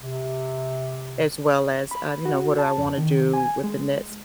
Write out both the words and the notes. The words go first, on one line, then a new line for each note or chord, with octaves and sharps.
as well as, uh, you know, what do I wanna do with the next,
C3
B5
F#4
A5
F2
D#3
G#5
G#3